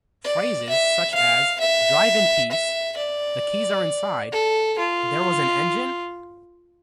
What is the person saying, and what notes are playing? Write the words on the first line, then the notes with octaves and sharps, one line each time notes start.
Phrases such as, 'Drive in peace, the keys are inside,' 'There was an engine?
D5
E5
F5
E5
E5
D5
A4
F4